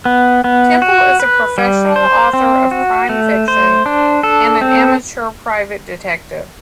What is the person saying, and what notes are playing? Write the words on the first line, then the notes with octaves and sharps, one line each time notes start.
Temple is a professional author of crime fiction and an amateur private detective.
B3
B3
F#4
B4
G3
C5
C4
F#4
A3
C5
D4
A4
C4